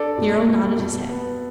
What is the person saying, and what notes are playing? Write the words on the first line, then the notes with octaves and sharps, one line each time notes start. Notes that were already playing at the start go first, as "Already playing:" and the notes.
The Earl nodded his head.
Already playing: D4 A4 D5
B2
B2
B2
B3